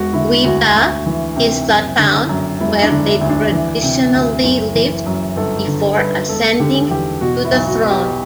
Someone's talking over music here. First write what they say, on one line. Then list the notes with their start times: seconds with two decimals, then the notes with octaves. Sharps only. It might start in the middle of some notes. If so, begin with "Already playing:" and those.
Guiba is the town where they traditionally lived before ascending to the throne.
Already playing: E1 F#4
0.13 D3 E4
0.44 D2 F#4
0.76 D2
1.06 E3
1.36 C3
1.68 F#1
1.98 D3
2.29 F#2
2.60 E1 E4
2.82 D4
2.91 D3
3.06 E4
3.21 D2
3.29 D4
3.52 E3
3.83 C3
4.14 D2
4.44 F#1
4.75 E3
5.06 F#2
5.36 G1 A4
5.67 D3
5.98 G2 B4
6.29 E1 A4
6.60 D3 G4
6.90 E2 G4
7.21 B2 F#4
7.44 E4
7.52 B1
7.67 F#4
7.82 B2
7.90 G4